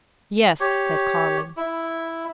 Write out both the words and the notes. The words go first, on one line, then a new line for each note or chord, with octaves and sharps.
"Yes," said Carling.
G4 C#5
E4